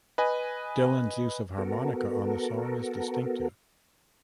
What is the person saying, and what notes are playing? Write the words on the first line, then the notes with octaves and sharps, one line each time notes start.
Dylan's use of harmonica on the song is distinctive.
B4 D#5 G#5
B3 F#4 A4 A#4